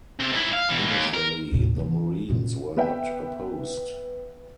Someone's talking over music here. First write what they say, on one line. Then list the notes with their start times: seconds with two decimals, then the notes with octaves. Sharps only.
Initially, the Marines were not opposed.
0.20 C3
0.32 G#2 E4
0.52 F5
0.69 B2 E3
0.87 D#2
1.14 A#4
1.51 D#2 A2
1.77 E3 D4
2.29 F#2 A#2
2.77 B3 B4 E5 G5